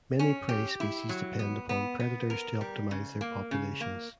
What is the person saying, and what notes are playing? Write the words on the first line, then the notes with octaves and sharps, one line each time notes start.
Many prey species depend upon predators to optimize their populations.
C#4
G4
E4
F#3
B3
B3
B3
A#4
G3
C#3
A#3
C#3
A#3